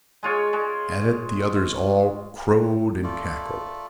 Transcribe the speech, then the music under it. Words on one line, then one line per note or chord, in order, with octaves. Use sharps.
At it the others all crowed and cackled.
G#3 F4 C#5
G#3
A3 F4 A4 D5